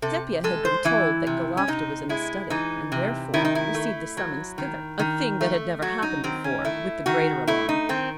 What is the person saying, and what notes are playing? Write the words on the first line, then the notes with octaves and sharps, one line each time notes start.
Sepia had been told that Galofta was in the study, and therefore received the summons thither--a thing that had never happened before--with the greater alarm.
C3 A4
G#3 A4
C5
E3 E4
C3
C#4
C3 D#4
G#3 E4
E3 D#4
C3
D#3 E4
D#4
E4
A3
F#3
D#3
D#3
A3
F#3 F#4
D#4
D#3 C4
C#4
A3 E4
D#3 F#4
A3 E4
D#4
D#3 C4